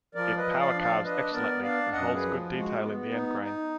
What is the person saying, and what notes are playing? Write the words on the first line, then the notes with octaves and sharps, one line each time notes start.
It power carves excellently and holds good detail in the end grain.
F3 A#4 D5
B4 D#5
F3
D5 F5
D4
D5 F5
D4 B4 D#5
B3 A#4 D5
D4 D5 F5
F#2 D#5 F#5
G#4 B4
F3
G#3
F#4
B3
D#4
D#4